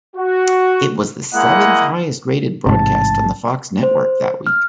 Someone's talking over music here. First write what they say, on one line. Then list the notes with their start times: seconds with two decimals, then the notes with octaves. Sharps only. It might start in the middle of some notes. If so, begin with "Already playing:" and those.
It was the seventh highest-rated broadcast on the Fox network that week.
0.16 F#4
1.34 G#3 A#3 E4 D#5 F#5
2.67 A1 G#2 C3 A5
3.83 C5
4.47 F6